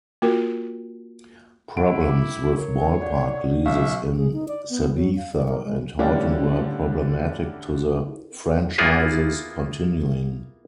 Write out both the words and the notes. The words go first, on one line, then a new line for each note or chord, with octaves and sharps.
Problems with ballpark leases in Sabetha and Horton were problematic to the franchises continuing.
A#3 F4 F#4 A#4
E4 F#5 D7
D6
A#4 C#5
D5 F#5
B1 E5 F5 C#6
G#4
D#4
D5
B3
F#3
F5
D5
A#4
G#3
A2 D3 G3 A#3 C#4 D4
A#3 B3 E4 F4 G#4